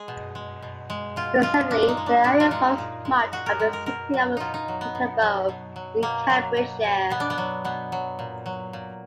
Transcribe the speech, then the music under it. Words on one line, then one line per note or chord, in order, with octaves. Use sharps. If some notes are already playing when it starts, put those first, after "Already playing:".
Presently, the area forms much of the City of Peterborough in Cambridgeshire.
Already playing: G#3 G#4
B2
G#3
B2
G#3
B2 F4
G#3 F4
A#2 D4
D#4
G#3
D4
A#2 D4
F4
G#3 D#4
A#2
G#3
A#2 F#4
A#4
G#3
A#4
B2 A#4
F#3
B2 D#4 F4
D#4
F#3
B3
B2
F#3
B2
F#3
B2 A#3
F#3
B2
F#3
B2 B3
D4
B3
F#3
B2 B3
F#3
A#2
F#3
A#2